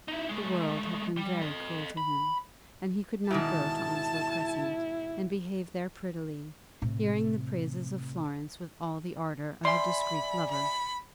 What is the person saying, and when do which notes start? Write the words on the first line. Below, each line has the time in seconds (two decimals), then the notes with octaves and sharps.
The world had been very cruel to him, and he could not go to Onslow Crescent, and behave there prettily, hearing the praises of Florence with all the ardor of a discreet lover.
0.08 D#4 E4
0.29 G#3 A3
1.17 G3
1.41 A4 D#5
1.97 B5
3.31 G#2 B2 D#3 E4 A5
6.82 A2 C3
9.65 D5 E5 G#5 B5 C6
10.51 B5